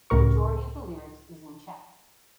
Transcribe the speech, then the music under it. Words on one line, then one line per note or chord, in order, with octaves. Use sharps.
Majority of the lyrics is in Czech.
C#2 A2 A#4 C#6